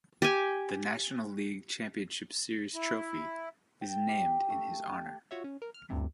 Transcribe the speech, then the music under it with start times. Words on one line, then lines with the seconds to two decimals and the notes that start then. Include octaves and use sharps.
The National League Championship Series trophy is named in his honor.
0.22 G4 G#5
2.75 E4
3.81 G5
4.08 G4
4.50 A3
5.31 F4 F#4 C#5 E5
5.44 C#4
5.62 A#4
5.74 F6
5.90 A1 D2 G2 C3